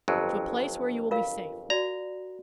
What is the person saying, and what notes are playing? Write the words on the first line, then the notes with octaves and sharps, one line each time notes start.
"To a place where you will be safe."
G1 F2 F#3
F4 A#4 F5
F#4 D5 A#5